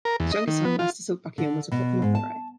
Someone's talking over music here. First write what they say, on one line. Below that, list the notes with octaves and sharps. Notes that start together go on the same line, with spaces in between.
His youngest son, Leicester Silk Buckingham, was a popular playwright.
A#4
E2
D#5
D#3
B3
F4
D3
B2
G#2
A5